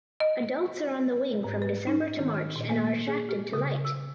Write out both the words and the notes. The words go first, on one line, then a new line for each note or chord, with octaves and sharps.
Adults are on the wing from December to March and are attracted to light.
D#5
G#2
B4
D#4
D#3
F6
A#2
A#3
G#4
G4
C#3
E6